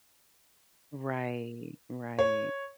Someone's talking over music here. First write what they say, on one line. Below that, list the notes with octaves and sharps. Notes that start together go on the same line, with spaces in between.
Right, right.
C#5